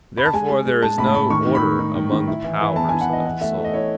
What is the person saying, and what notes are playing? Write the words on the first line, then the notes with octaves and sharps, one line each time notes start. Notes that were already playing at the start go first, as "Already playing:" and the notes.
Therefore there is no order among the powers of the soul.
B5
A5
G#3 G#5
G#3
G#3
G#3 A5
A2 B5
A5
A2 B5
D#3 C#6
D#3
B5
D#3
D#4
D#3
D#3
E4
E3
E3
B3 A5
E3 G#5
F#5
E3 D#5
E3 F#5
A3 E5
A3
D#5
E4 C#5